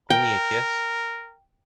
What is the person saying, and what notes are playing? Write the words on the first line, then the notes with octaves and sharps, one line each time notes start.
Only a kiss?
A#4 G5